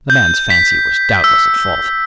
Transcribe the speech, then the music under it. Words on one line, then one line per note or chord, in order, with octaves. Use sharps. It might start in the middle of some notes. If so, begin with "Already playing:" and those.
The man's fancy was doubtless at fault.
G6
B6
E6